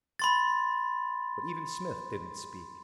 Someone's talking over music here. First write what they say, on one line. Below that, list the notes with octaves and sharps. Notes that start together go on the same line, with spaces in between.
But even Smith didn't speak.
B5 C6 A6